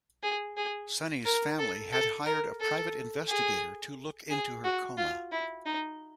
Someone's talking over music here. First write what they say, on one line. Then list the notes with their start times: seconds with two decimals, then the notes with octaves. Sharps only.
Sunny's family had hired a private investigator to look into her coma.
0.23 G#4
0.57 G#4
1.25 A#4
1.59 A4
1.92 A4
2.26 A#4
2.61 A4
3.29 G#4
4.30 G#4
4.64 F#4
4.98 F4
5.32 E4
5.66 D#4